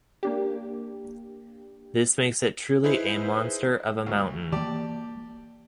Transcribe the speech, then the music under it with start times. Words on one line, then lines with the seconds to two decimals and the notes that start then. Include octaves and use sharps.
This makes it truly a monster of a mountain.
0.23 A#3 D4 G4
2.84 D#4 E4 G#4 B4 C5
4.07 D2
4.52 E3 A#3 G4 D5 A5